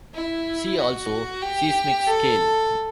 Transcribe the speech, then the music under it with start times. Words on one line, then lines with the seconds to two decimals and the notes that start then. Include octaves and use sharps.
See also seismic scale.
0.14 E4
0.79 F#4
1.42 G4
2.07 A4